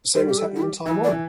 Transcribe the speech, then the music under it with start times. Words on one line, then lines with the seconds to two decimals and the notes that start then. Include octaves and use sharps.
The same was happening in Taiwan.
0.14 G3 C5
0.29 G4
0.38 A4
0.56 E4
0.62 G4
0.86 E3 E4
1.04 D5
1.11 E3